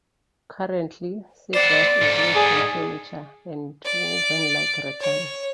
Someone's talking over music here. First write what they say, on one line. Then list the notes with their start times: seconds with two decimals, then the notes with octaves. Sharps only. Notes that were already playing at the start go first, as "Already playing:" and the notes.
Currently, seagrass is used in furniture, and woven like rattan.
1.54 B3 C5 D5
2.02 G#2 A4
2.36 G#4
3.85 D5
5.00 C#5